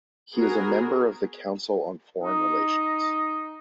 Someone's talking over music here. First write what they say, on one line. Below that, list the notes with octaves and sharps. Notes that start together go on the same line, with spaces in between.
He is a member of the Council on Foreign Relations.
B3 F#4 G#4 A#4
D#4